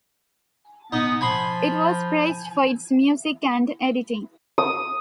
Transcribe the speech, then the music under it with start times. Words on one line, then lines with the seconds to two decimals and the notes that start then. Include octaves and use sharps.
It was praised for its music and editing.
0.92 B3 D#4 D#5
1.21 F3 G#5 B5 C6
4.58 D#6